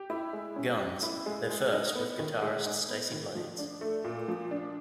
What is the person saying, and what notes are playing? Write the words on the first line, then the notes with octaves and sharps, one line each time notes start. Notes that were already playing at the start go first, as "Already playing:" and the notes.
Guns, their first with guitarist Stacey Blades.
Already playing: G4
E4
G#3
C#4
G4
E4
G#3
G#3
D#4
B3
D#3
G#3
D#4
B3
D#3
F3
D4
A3
A#2
F3
D4